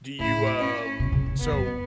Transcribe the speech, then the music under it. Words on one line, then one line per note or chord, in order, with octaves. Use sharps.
Do you, um so,
A2 E4
C#4
B2
C#3
C#3
B3
F#2